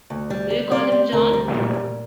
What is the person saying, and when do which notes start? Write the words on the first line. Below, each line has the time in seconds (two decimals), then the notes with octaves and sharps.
Do you call him 'John'?
0.10 D2
0.30 G3
0.50 G3
0.71 C4 D5
0.92 C4
1.12 D2 A#4
1.33 G3
1.54 A#2
1.74 A#2